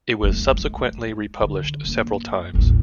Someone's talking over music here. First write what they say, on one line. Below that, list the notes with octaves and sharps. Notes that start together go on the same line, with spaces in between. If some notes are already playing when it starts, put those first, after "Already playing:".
It was subsequently republished several times.
G#3 A3
G#3
D3
F#2 A#3
A1 D#2